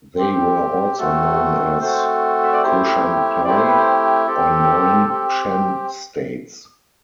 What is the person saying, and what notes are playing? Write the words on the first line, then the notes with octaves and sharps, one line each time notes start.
They were also known as "Koshanpye" or "Nine Shan States".
C4 G4
A3 C4 F#4 A4
A3 C4 F#4 A4 C5
E5
D5
A3 C4 E4 G4 C5
A3 C4 E4 G4 D5
C5
B4
C5
C4 G4 A4
C4 G4